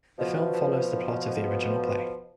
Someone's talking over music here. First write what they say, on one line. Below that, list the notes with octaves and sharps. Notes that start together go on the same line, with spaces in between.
The film follows the plot of the original play.
B2 F3